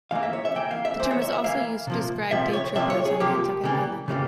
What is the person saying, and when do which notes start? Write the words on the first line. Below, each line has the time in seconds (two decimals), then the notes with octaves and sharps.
The term is also used to describe "day-trippers" on Nantucket Island.
0.11 E3 A#3 F5
0.23 E5
0.33 C#5
0.45 E5
0.55 E3 A#3 G5
0.71 F5
0.85 E5
0.99 E3 A#3 C5
1.11 C#5
1.22 E5
1.32 E5
1.44 E3 A#3 F5
1.87 C3 F3 A#3
2.31 C3 F3 A#3 E5
2.53 C#5
2.75 C3 F3 A#3 E5
2.90 C#5
3.05 G#4
3.20 C3 F3 A#3 G4
3.64 C#3 E3 G3 A#3
4.08 C#3 E3 G3 A#3